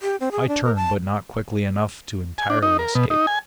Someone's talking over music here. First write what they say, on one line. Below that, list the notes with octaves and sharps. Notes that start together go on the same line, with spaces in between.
I turned, but not quickly enough to entirely escape.
G4
C4
G#4
D4
A#4
A5
G#5
D4
D#4
A#4
B2
D#4
G#5